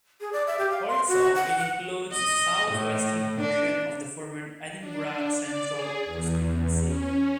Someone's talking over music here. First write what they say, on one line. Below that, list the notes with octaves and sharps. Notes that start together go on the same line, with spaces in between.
Also, it includes a south western portion of the former Edinburgh Central constituency.
G#4
D5
E5
G4
F5
C6
F#4
F#5
F#5
D#5
A2
D4
D4
D5
G#4
E2
C#4